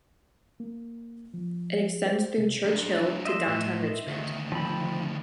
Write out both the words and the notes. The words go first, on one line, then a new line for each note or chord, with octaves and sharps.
It extends through Church Hill to Downtown Richmond.
A#3
F3
C5
C3
F#3 D4
D#5 E5 C6
A2
D2 D#3
F3 C4 B5